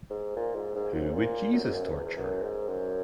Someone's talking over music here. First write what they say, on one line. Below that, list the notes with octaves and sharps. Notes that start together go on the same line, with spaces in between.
Who Would Jesus Torture?
G#2
A#2
G#2
G#2
F#2
G#2
A#2
F#2
G#2
F#2
F#2
E2
E2
F#2
G#2
F#2